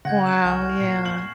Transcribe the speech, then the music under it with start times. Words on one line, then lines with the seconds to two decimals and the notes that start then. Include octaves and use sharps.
Wow, yeah.
0.05 C#3 F#5 G6 G#6 A#6
0.25 G6 E7
0.45 C2 G#5 C#6 F6
0.80 A#2 C7
1.06 F#7